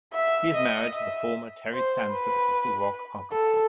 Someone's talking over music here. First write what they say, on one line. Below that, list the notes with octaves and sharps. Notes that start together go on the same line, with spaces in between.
He is married to the former Terry Stanford of Little Rock, Arkansas.
E5
D#5
E5
C5
B4
A4